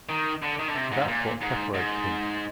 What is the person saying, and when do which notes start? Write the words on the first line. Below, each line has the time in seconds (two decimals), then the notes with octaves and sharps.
That's what separates him.
0.09 D#3
0.42 D3
0.59 D#3
0.68 D3
0.75 C3
0.92 G#2
1.08 A#2
1.41 G#2
1.74 G#2